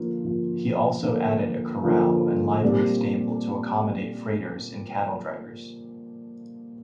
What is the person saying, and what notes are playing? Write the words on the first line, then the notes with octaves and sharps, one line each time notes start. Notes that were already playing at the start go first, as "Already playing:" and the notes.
He also added a corral and livery stable to accommodate freighters and cattle drivers.
Already playing: D3 F3 A#3 F4
D3 F3 A#3 F4
D3 F3 A#3 F4
D3 F3 A#3 F4
A#2 G3 C4 G4 D5